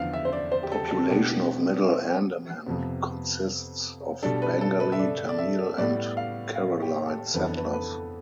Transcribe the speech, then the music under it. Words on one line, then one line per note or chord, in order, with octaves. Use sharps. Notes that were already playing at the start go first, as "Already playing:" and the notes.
Population of Middle Andaman consists of Bengali, Tamil and Keralite settlers.
Already playing: E2 D3 F3 B3 D4 F5
E5
C5
D5
C5
G4
A4
G4
A4
B2 B3 D4 G4
F2 C3 F3 B3
B2 G3 D4 A4
B4
A4
B4
E5
D5
D5
E5
A2 G3 B3 D5
F5
F5
G4
A4
F2 E3 B3 D4 B4
A4
B4
B4